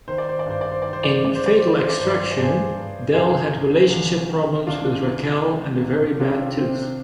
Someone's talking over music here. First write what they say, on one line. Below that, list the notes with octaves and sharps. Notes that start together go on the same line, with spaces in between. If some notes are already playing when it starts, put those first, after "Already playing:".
In "Fatal Extraction", Del had relationship problems with Raquel and a very bad tooth.
D#3 C5
D5
C5
D5
G2 C5
D5
C5
D#3 D5
C5
D5
C5
D#3 D5
C5
D5
D#3 C5
D5
C5
D5
G2 C5
D5
C5
D5
G2 G#4 C5
G2
C2 G#4 C5
C2
C2
D#3
C2 D4 F4
C2
D#3
C2
C3 D4 F4
C3 C4